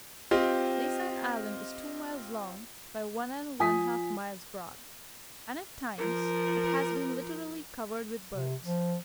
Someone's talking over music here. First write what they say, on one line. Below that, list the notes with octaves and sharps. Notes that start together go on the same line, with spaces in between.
Laysan Island is two miles long by one and one-half miles broad, and at times it has been literally covered with birds.
C4 F4 G4 D#5
F3 G#5 D#6 B6
F3 A#4
C3
F3